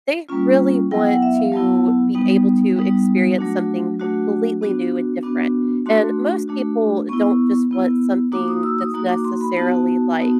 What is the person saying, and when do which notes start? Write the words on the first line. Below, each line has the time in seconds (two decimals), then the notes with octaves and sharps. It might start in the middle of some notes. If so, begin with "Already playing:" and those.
they really want to be able to experience something completely new and different. And most people don't just want something that's necessarily like
0.29 G3 A#3 C#4 F4
0.91 F#3 B3 E4 G5
1.06 F#5
1.22 E5
1.37 F5
1.52 F#3 B3 E4 A5
2.15 G3 B3 D#4
2.76 G3 B3 D#4
3.38 F#3 A3 D4 F#4
4.00 F#3 A3 D4 F#4
4.61 B3 D4 F#4
5.23 B3 D4 F#4
5.86 A3 D4 F#4 C6
6.48 A3 D4 F#4
7.09 B3 E4 C#6
7.71 B3 E4
8.32 A#3 D#4 F#4 D6
8.48 D#6
8.63 E6
8.79 D#6
8.94 A#3 D#4 F#4
9.09 D6
9.24 C6
9.41 B5
9.56 B3 D#4 F#4 A5
10.18 B3 D#4 F#4